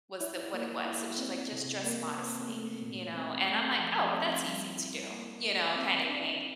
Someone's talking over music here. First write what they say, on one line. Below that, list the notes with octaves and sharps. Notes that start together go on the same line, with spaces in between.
was tha what it was, it was just, like, just dress modestly, you know, and I'm like, "Oh, well, that's easy to do," you know, kinda thing.
E4
A#3
E4
C4
C3
A#3
C4
A3
A#2
C4
A3
F3
C4
G3
E4
A#3
E4
C4
D4